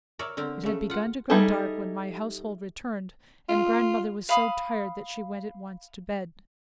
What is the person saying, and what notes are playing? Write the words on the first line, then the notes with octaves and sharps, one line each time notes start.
It had begun to grow dark when my household returned, and grandmother was so tired that she went at once to bed.
A#4 C#5 D5 E5
D3 C4 A#4
C#3 A3
F4 F#5
G3 D#4 E4 G#4 A4
F4
F5 B5 D#6